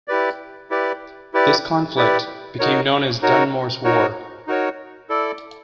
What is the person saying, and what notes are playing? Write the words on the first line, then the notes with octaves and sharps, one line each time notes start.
This conflict became known as Dunmore's War.
E4 G4 B4 D5
E4 G4 B4 D5
E4 G4 B4 D5
E4 G4 B4 D5
D#4 F#4 A#4 C#5
D#4 F#4 A#4 C#5
D#4 F#4 A#4 C#5
D#4 F#4 A#4 C#5
E4 A4 D5